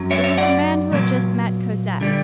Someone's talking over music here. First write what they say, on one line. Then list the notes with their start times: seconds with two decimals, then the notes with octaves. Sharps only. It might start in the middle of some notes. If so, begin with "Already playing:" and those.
It was the man who had just met Cosette.
Already playing: F#2 F#3
0.11 C#5 E5
0.24 C#5 E5
0.37 D5 F#5
0.91 A#2 F#3 A#3
2.01 D3 G3